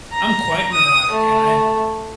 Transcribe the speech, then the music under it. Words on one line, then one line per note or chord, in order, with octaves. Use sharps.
I'm quite neurotic, and I
A#5
D#6
A3